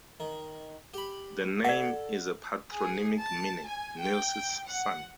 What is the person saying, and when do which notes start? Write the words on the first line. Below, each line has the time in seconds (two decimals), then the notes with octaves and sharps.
The name is a patronymic meaning "Nils's son".
0.20 D#3
0.94 G4 B5
1.64 A4 D5 F#5
2.70 G#4
3.16 A5
3.66 G#5
3.99 G5
4.66 F#5